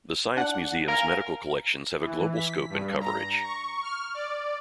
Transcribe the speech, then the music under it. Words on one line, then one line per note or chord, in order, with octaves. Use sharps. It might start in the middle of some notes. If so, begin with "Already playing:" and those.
The Science Museum's medical collections have a global scope and coverage.
D4 F#5
A#4 F5 G#5 F6
E3
B6
G2
A#5
C#6
F6
D5